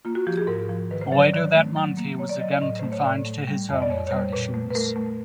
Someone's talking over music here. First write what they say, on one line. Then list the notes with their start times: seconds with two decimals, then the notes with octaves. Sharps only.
Later that month he was again confined to his home with heart issues.
0.05 A#3 F4
0.15 F#4
0.27 F3 G4
0.37 G#4
0.47 G#2 A#4
0.69 F3
0.90 D#3 B4
1.01 C5
1.11 F#3 C#5
1.23 D5
1.33 D#3 D5
1.54 A3
1.76 F#3
1.97 A#3
2.18 A#3 C#5
2.29 D5
2.40 F#3 D#5
2.51 D5
2.62 A2 D#5
2.79 A3 C5
2.92 C#5
3.04 A2 D5
3.25 A3
3.47 G3
3.69 F2 D#5
3.82 D5
3.89 F2 C#5
4.07 C#5
4.11 G3 C5
4.32 A#2 B4
4.54 A3
4.70 B4
4.75 A3 A#4
4.96 A3